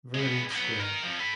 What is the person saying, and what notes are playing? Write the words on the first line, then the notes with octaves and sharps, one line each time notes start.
Vernon Square.
G#3 B3
F#3 B3
D#4 A#4
F2 F3
A4 B5